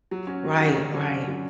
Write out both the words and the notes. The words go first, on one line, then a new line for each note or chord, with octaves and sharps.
Right, right.
F#3
C#4 F#4
F#3
C#4 F#4
D3
F#3 C#4
D3
F#3 C#4